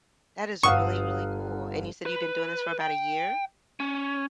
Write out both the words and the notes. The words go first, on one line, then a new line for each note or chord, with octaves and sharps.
That is really, really cool. And you said you've been doing this for about a year?
G1 F5 F#5 C#6 D#6 E6
B4
G5
C#4